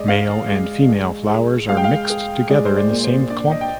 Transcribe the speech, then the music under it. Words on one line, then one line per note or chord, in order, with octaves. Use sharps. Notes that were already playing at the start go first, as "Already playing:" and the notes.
Male and female flowers are mixed together in the same clump.
Already playing: G#3 D5 D#5
G#4 F5
G#3
G#3
G#4
G#3 F5
G5
F5
G#4
G#3 D5
C5
D5
A#2
C5
D4 D5
D#5
G5